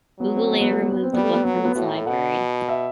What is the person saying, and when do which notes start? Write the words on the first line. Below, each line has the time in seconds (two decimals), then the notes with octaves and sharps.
Google later removed the book from its library.
0.20 F#3 B3
0.35 C4
0.51 B3
0.61 B3
0.71 A3
0.82 B3
0.92 B3
1.03 C4
1.13 G3 B3
1.23 A3
1.34 B3
1.44 F#3 B3
1.55 A3
1.65 B3
1.75 A2 F#4
1.97 A4
2.06 B2 F#5
2.69 E5